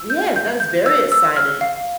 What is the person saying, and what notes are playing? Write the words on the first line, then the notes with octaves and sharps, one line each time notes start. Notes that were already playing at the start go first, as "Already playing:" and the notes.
Yes, that was very exciting,
Already playing: E6
G6
G6
G6
E6
E6
F6
F5